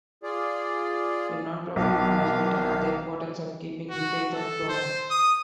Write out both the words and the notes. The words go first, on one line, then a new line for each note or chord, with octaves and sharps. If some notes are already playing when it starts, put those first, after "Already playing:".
In nonprofit management, add the importance of keeping the faith of donors.
F4 G#4 D5
B1 C3 A#3 F5
F#4
A4
C5
D#6